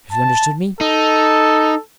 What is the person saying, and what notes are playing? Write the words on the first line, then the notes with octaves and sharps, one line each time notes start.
"Have you understood me?"
A5
D#4 A4